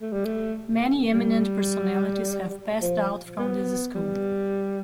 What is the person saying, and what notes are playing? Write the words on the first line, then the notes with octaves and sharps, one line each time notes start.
Many eminent personalities have passed out from this school.
A3
G3
A3
G3
F3
B3
G3